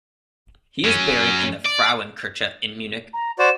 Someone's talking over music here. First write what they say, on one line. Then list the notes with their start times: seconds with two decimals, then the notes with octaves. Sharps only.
He is buried in the Frauenkirche in Munich.
0.84 F#3 C#4
1.65 D5
3.13 A#5
3.39 F#4 C5 D5 E7